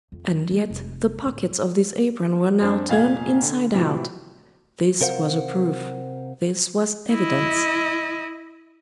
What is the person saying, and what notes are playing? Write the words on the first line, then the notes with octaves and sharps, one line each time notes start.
And yet the pockets of this apron were now turned inside out; this was a proof, this was evidence.
F2
A3
F1
D1
F#2 C4 D4
F1 A#2 F5 G#5 G#6
D3
A2 C3 E3 F3 F#4
C3 A#4 C5 F5 F#5
E4 D#5